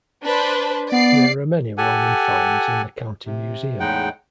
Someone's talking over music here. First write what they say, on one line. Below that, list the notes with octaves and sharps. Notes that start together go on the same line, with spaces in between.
There are many Roman finds in the County Museum.
D4 B4 C5
B3 D5 C7
G4 A4 F#5 G#5
C3
E2 A2 G#3 D#4 F#5 G5